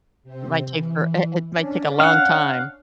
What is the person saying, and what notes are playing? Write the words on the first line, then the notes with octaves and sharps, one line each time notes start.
Might take her i it might take long time
C3 C4
E3
C#4 D4
F5 F#5